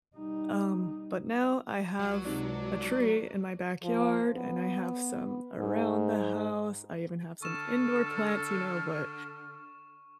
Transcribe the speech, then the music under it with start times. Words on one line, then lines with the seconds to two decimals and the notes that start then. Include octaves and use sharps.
Um, but now I have a tree in my backyard, and I have some around the house. I even have some indoor plants, you know, but
0.17 G3 D#4
1.99 C#2 F#3
2.25 C3 D4 D#4 C5
3.83 F3
4.36 B3
5.58 G#2
7.42 D3 A4 C#6 F6 E7